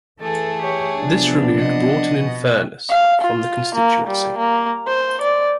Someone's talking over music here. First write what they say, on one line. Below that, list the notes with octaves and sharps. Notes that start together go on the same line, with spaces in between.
This removed Broughton-in-Furness from the constituency.
E3 A3 G#4 A4
G4 C#5
C3 F3 B3 D4
D#5 F#5
B2
F5
F4
A#3
G3
A#3
C5
D5